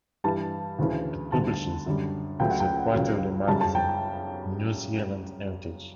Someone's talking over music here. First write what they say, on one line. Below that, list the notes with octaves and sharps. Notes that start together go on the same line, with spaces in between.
It publishes the quarterly magazine "New Zealand Heritage".
G2 E3 G3 A5
D2 C#3 E3
D2 D3 G3 A5
F#2 D3 G3
C#2 C#3 F#3 A3 G5
F#5
G5
C#2 C#3 F#3
F#2 C#3 G3 A5
A5
G5